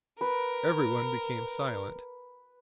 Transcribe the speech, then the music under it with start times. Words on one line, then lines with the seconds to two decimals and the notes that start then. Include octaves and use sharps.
Everyone became silent.
0.21 A#4 B4